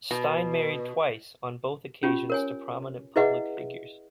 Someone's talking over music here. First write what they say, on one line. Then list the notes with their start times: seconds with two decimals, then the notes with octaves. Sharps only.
Stein married twice, on both occasions to prominent public figures.
0.11 B2
2.03 C#4 F4 G4
2.30 A#4 C#5 G#5
3.16 E4 G#4 B4 D#5 E5 F#5